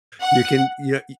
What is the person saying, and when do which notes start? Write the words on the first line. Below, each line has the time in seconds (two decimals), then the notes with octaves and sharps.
you can, you know y
0.21 F#5